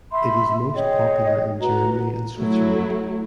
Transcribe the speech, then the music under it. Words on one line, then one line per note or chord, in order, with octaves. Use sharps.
It is most popular in Germany and Switzerland.
E5 B5 C6 E6
G#4 C#5 D#5 G5
F#4 B4 A#5
F#3 A3 E4